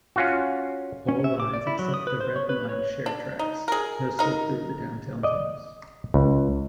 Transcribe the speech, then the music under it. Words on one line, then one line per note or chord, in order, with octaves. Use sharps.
All lines except the Red Line share tracks, mostly through the downtown tunnels.
C#4 F4 F#4
C#4
E5
D6
D5
E4
F#3
D#6
B4
C5
C#5
B4
C#5
D4
D#4
G#4 A#4
D#4 A#4
D5 D#5
C#2